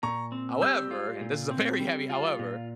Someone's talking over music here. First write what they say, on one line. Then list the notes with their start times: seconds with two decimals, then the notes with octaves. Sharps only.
however, and this is a very heavy however,
0.03 A#2 A#5 C#6
0.32 C4
0.62 G3 E6 G6
0.91 F4
1.21 A#2
1.51 C4
1.80 G3
2.10 F4
2.39 A#2